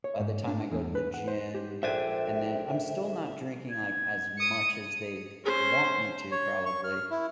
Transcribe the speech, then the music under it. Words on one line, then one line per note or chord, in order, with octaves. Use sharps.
by the time I go to the gym, and then" I'm still not drinking, like, as much as they'd want me to, probably,
C#5
G#2
D4
E2
B4
F#5
C5
G4
A#1 D4 A4 C5 E5 G5 G#5
G#6
D#6 C#7
C#4 C5
C#5
C#6
F6
E4